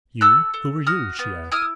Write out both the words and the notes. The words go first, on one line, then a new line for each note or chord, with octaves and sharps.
'You--who are you?' she asked.
A4 E6 F#6
A4
F#4 D#6 F6
B3
E4 D#6 F6